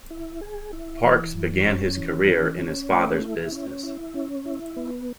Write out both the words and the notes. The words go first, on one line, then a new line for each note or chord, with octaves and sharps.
Parkes began his career in his father's business.
E4
G#4
E4
E3
F#2
C#4
E3
C#4
C#4
A3
E4
C#4
E4
C#4
E4
B3